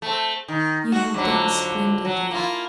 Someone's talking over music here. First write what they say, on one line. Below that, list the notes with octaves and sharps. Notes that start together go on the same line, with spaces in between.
"You have done splendidly."
A3 C4
D#3
F#4
F2 D3 F#3
F#3
A#3 E4 F4